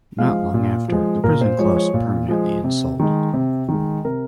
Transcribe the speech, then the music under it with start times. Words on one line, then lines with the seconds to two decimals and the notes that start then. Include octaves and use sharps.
Not long after, the prison closed permanently and sold.
0.19 F3 G#3 F5
0.54 A#2
0.88 F3 G#3
1.24 A#2 A#4
1.41 C5
1.59 F3 G#3 C#5
1.77 C#5
1.94 A#2
2.28 F3 G#3
2.64 C3
3.00 D#3 G#3
3.33 C3
3.68 D#3 G#3
4.05 C3 A#4